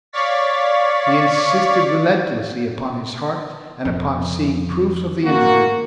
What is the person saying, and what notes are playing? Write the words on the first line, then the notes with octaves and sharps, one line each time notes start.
He insisted relentlessly upon his heart, and upon seeing proofs of the interview.
C#5 D5 F5 C#6 A6 B6
F2
A#3 F#4